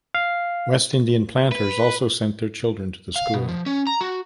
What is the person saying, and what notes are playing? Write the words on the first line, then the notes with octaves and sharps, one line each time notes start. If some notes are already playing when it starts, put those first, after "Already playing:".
West Indian planters also sent their children to the school.
F5
B4
F5
B2
F3
C#4
A#5
F#4